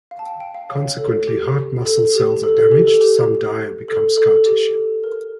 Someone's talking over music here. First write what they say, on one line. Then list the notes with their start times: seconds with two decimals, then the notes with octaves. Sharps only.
Consequently, heart muscle cells are damaged; some die or become scar tissue.
0.11 F5
0.19 A5
0.26 G5
0.40 G5
0.54 F5
0.69 C#5
0.98 A4
1.27 G4
1.85 A4
2.14 G4
2.43 A4
2.58 A4
2.72 G4
2.87 A4
3.01 G4
3.88 A4
4.17 A4
4.31 A4
4.46 G4
4.75 A4
5.04 A#4